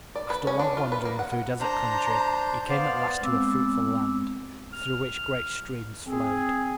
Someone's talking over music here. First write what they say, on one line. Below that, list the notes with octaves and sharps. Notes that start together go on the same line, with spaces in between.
After long wandering through desert country he came at last to a fruitful land, through which great streams flowed.
D5
B4
C#4
D4
F4
B4
A#3
F#5
D4 C5 A#5 G6
B3 C5 D5 F5
G#3 B3 C4 D6 E6
F6
C4 G#4